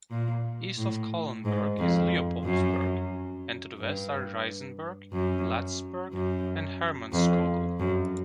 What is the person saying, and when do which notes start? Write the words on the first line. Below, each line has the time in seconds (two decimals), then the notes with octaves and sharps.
East of Kahlenberg is Leopoldsberg; and to the west are Reisenberg, Latisberg, and Hermannskogel.
0.10 A#2
0.77 A2
1.45 G#2
1.78 F2
2.44 F#2
3.79 G2
5.12 F#2
6.13 F#2
7.13 F2
7.80 F#2